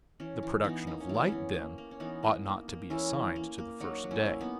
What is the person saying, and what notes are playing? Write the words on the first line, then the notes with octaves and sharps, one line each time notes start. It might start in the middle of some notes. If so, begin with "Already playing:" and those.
The production of light, then, ought not to be assigned to the first day.
E3 C#4
E3
E3 B3 D#4
A#3 D#4
C#4
E3 B3
E3 C#4
A#3
A#3
C#4
E3 B3 D#4
A#3
A#3
A#3
E3 C#4 E4
E3
A#3
A#3
F#3 D#4 F#4
F#3
C#4 E4
A#3
B3 D#4